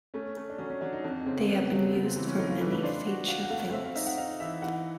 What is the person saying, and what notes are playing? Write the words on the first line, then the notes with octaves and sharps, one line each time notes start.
They have been used for many feature films.
A3 C#4
A3
D4
F#3 C#4
C#4
F#3 D4
D#4
F2 D4
C#3 C4
A#3
C#3 B3
F#3
C#3 B3
C4
E3 C4
C#4
A3 D#4
F4
E3 B4
B4
D4 C5
F#4
F#4 F5
F#5
A3 F5
F#5
C4 E5
F5
D#4 E5
F#5
D#4 F5
E3 E5
E3 F#5